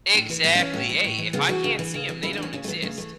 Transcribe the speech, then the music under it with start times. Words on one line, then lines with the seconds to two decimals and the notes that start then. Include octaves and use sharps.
exactly! Hey, if I can't see 'em, they don't exist.
0.14 A2 D4
0.30 E3
0.44 A2 B3
0.55 D4
0.59 E3 C#4
0.74 A2
0.89 E3
1.04 A2
1.18 E3
1.33 C#3 B3
1.49 E3 F#4
1.64 C#3
1.79 E3
1.94 C#3
2.09 E3
2.23 C#3 E4
2.33 D4
2.37 E3 C#4
2.53 C#3 C#4
2.64 A3
2.68 E3 B3
2.82 C#3 A3
2.98 E3 A3